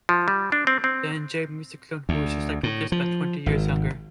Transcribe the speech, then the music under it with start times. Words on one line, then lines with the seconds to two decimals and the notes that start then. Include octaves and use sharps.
Then Jade meets the clone, who is just like Lucas, but twenty years younger.
0.09 F3
0.28 G3
0.52 D4
0.67 C4
0.84 C4
2.09 D2
2.63 A2
2.92 F3
3.46 G#1